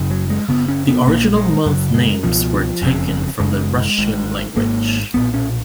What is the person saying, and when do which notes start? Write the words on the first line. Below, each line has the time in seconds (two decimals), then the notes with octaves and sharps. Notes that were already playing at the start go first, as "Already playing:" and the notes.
The original month names were taken from the Russian language.
Already playing: F#1 F#2 C#3
0.10 F#3
0.30 G#3
0.48 F#1 F2 C#3 B3
0.68 C#4
0.88 B3
1.07 A#1 A#2 A#3
1.36 G#3
1.65 F#1 F#2 C#3 F#3
1.94 G#3
2.23 C#2 B2 F3
2.82 F#1 F2 C#3
3.40 F#1 F#2 C#3 G#3
3.98 G#1 G#2
4.56 G#1 G#2 A#3
5.14 B1 A#2 B3
5.34 C#4